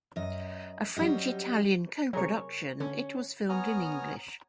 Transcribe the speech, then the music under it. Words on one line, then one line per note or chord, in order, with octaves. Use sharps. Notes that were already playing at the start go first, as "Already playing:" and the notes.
A French-Italian co-production, it was filmed in English.
F#2 D#5
F#3 G3 C#4 G4 D#5
C3 F#3 G#4 A#4 C#5
D3 C#4
B3 C#5 G#5 A#5 D#6 F6